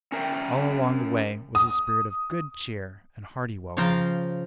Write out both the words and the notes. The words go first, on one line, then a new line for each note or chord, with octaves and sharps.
All along the way was a spirit of good cheer and hearty welcome.
C#4 A#4 D#5 E5 G5
D#6
C#3 F3 F4 F5 G5 A#5